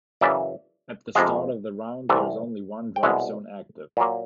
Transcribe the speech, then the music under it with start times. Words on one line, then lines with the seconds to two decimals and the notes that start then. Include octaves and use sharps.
At the start of the round there is only one drop zone active.
0.21 F#2 C#3 E3 D5 E5
1.15 F2 C3 F3 G#3 D#5 F5
2.09 C2 C3 E3 A3
2.96 G5
3.03 C2 B2 G#3 E5 F#5
3.97 A#2 F#3 A#3